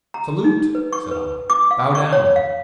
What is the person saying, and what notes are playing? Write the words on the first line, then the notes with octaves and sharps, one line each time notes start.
"Salute!" said I. "Bow down!"
A#5
D#4
B4
C#6
B4
D6
F5
C#6
C#5
F5